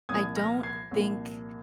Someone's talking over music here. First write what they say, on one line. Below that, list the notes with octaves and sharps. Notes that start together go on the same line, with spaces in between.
I don't think
C2 A#2 F3 D#6 G#6
F6 A#6
G#6 C7
C2 A#2 F3